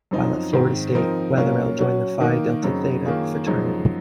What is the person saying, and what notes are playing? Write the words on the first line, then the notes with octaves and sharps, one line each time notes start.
While at Florida State, Wetherell joined the Phi Delta Theta Fraternity.
F#2 F3 C4 D#4
G#2 D#3 G#3 C4
F3 C4 D#4 A#4
A#2 F#3 C#4 F4 A#4
F#3 C#4 F#4
D#3 A#3 D#4 A#4
F#2 C#3 F#3 C4 D#4
D#3 A#3 F4 G#4 C#5
F#2 F3 G#3 D#4